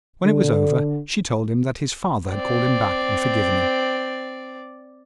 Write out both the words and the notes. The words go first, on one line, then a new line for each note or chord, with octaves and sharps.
When it was over, she told him that his father had called him back and forgiven him.
D3
C4 D5